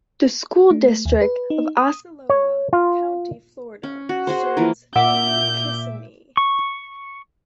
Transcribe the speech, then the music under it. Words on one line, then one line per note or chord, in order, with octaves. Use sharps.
The School District of Osceola County, Florida serves Kissimmee.
A3
D#2
B4
D#4
D#6
C#5
F4
C#4
F#4
F#4 G#4 C5
E3 F3 A#3
A#2 E5 F#5 D6 G6
C#6